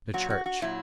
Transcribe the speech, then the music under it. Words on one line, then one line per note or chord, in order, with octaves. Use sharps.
The church...
A#2 F#3 F#4
F#4
F#4
A#2 F#3 E4